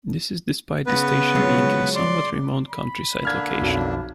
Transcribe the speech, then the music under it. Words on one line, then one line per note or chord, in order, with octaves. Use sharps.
This is despite the station being in a somewhat remote countryside location.
C#3 B3 B4
F#3 G#3 F4
D5 C6
B5
D3 A#3 D4 F6 G#6
B1 F2